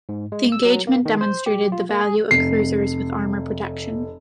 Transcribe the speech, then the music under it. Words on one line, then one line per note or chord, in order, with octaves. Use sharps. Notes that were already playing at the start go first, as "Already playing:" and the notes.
The engagement demonstrated the value of cruisers with armor protection.
G#2
G#3
E6
F#3
A#3
D#3
C5
G4
F4
A#3
G#4
F1 C7